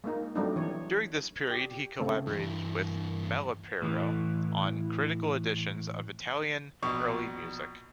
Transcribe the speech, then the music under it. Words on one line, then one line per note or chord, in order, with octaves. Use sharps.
During this period he collaborated with Malipiero on critical editions of Italian early music.
G#3 A#3 D#4
F#3 G3 A3 C4 D4 D#4
E3 C#5
G4
C#3 A3 C4
G2 E3
A2 E3
A#1 B2 C#6